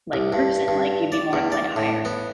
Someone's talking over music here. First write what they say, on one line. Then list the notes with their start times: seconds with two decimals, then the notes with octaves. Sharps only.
like, person, like, you'd be more inclined to hire.
0.13 C2
0.33 G2
0.68 G2
1.12 D5
1.33 E2
1.52 D5
1.76 A2
2.05 B3